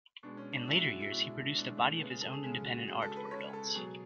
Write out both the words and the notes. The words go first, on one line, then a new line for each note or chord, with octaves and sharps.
In later years, he produced a body of his own independent art for adults.
B2 G#3 D4
C#4
D4
B2 G#3 E4
F#4
F#4
E4
B2 G#3
B2 G#3 D4
A3
C#3 G#3 B3
G#4
A4
G#4
C#3 G#3 G#4
F#4
C#3 G#3 G#4
A4
B4
C#3 G#3 C#5
A4
B2 F#3 G#4